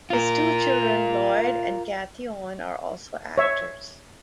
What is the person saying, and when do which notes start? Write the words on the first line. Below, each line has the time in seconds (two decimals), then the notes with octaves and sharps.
His two children, Lloyd and Cathy Owen, are also actors.
0.10 F4 A#4
3.38 C#5 E5